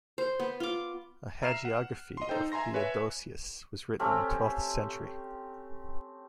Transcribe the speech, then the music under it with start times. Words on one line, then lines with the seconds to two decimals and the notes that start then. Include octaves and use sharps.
A hagiography of Theodosius was written in the twelfth century.
0.18 C5
0.40 B3
0.60 F4 D6
1.42 E5 A#5 F6 C7 E7
1.65 F#5
2.17 D#5 C6
2.29 D#4 A4 C5 G5
2.52 E5 G#5 A#5 C6 A#6
2.74 B4 C#5 E5 G#5
3.99 A3 C4 C#4 G4